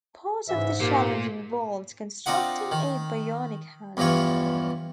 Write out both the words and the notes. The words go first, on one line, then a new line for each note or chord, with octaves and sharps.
Part of the challenge involved constructing a bionic hand.
G#2 C#3 E3 E5
A#2 A#3 G4
C4 D4 D#4 F4 F#5
D#3
E2 G2 E3 F3 C#5